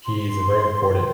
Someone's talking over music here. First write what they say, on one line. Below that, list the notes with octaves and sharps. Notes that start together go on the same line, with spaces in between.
he's a very important
C6